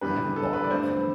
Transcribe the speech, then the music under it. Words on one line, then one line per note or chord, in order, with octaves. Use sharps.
I haven't bought nothing."
E2 D3 G3 B4
A4
B4
D5
G2 D3 A3 C4 C5